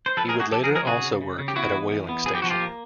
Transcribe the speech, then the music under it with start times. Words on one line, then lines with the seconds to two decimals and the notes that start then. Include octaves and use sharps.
He would later also work at a whaling station.
0.06 C5
0.17 F3 A4 B4
0.29 G#4 A#4
0.34 A3
0.40 F#4 G#4
0.52 F3 G4 A4
0.64 G#4 A#4
0.69 F3
0.75 G#4 A#4
0.87 C#3 F#4 G#4
1.04 C#3
1.22 C#3
1.39 C#3
1.48 G4
1.56 B3 E4 F#4
1.74 E3
1.91 E3
2.09 B3
2.26 F3 G#4
2.35 G4
2.42 F3 F#4
2.50 F4 G4
2.60 A#3